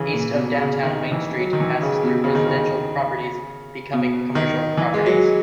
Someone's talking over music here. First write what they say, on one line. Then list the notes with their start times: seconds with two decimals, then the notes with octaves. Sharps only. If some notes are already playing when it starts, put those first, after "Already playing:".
East of downtown Main Street passes through residential properties becoming commercial properties.
Already playing: C#3 E3
0.13 A#2
0.33 B2
0.54 C#3
0.83 D#3
1.12 E3
1.39 F#3
1.53 D#3
1.60 E3
1.82 C#3
2.03 B2
2.24 C#3
2.35 D#3
2.47 C#3
3.93 B2
4.35 D#3
4.77 E3
4.94 G#3
5.06 F#3